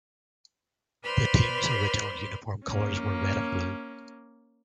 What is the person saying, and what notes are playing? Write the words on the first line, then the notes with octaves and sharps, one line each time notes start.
The team's original uniform colors were red and blue.
B4 C5 D5 B5 C6 F6
A#3 C#4